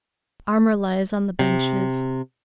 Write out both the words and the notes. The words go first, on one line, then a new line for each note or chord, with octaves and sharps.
Armor lies on the benches.
C3